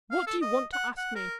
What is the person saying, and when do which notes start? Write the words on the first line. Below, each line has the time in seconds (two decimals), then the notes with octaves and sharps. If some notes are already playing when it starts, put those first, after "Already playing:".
"What do you want to ask me?"
0.11 F5
0.27 A4
0.42 D#5
0.73 F#5
0.97 F#5
1.16 A#4